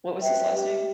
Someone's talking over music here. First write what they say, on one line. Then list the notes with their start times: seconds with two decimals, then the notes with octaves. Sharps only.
what was his last name?
0.21 B4 E5 G5
0.53 G4